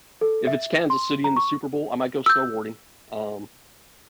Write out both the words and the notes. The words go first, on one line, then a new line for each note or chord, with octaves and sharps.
if it's Kansas City in the Super Bowl, I might go snowboarding. Um,
A4
E5
C6
A#5
C#6
E6 G6